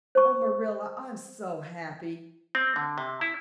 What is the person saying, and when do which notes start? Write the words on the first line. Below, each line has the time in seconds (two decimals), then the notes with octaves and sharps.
Oh, Marilla, I'm so happy.
0.15 C5 C#6
2.55 C4
2.76 D3
2.98 C3
3.21 E4